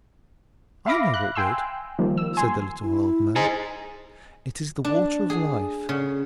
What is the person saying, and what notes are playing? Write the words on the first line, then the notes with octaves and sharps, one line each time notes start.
'I know what would,' said the little old man; 'it is the Water of Life.
E5 F5 B5 D6 A#6
F#6
G5 G#5 C6 E6
D#3 F3 G3 A#3
E6
G#5 C6
E4
D#4 G#4 C5
D4
G#4
C#3